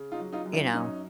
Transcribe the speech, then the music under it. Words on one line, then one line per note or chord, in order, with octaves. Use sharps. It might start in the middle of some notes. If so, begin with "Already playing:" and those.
You know,
Already playing: C#3
D#4 F4
F#3
D#4 F4
F#2
D4 E4
F#2 C#4 D#4